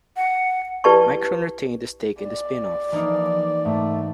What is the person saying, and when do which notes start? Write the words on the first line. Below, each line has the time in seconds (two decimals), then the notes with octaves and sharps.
Micron retained a stake in the spinoff.
0.16 F#5
0.84 E4 G4 B4 D5 A5 C#6
2.22 D5
2.92 E3 F3 A#3 D#4
3.65 G#2 A3